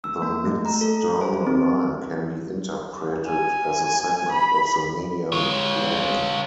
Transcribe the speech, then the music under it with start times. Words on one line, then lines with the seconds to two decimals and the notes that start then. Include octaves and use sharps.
The midsternal line can be interpreted as a segment of the median plane.
0.04 E6
0.22 A#3
0.45 A3
0.66 A#5
0.81 A4
1.21 C5
1.47 C4
3.27 G#5
4.32 B5
5.32 F4 C#5